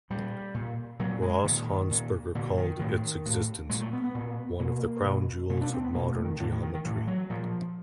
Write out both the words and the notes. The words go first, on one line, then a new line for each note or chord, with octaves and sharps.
Ross Honsberger called its existence "one of the crown jewels of modern geometry".
A#2 G3
A#2
A#2 F#3
G#3
A#2 D#3
A#2
A#2 D3
D#3
A2 D#3
A2
A#2 G#3
A3
B3
B3
A#2
B2 A#3
B2
B2 A3
D4
C4
B3
B2 A#3
A3
D#3
A2 D3
D#3
D#3
D#3
A2 E3
F#3
A#2 F3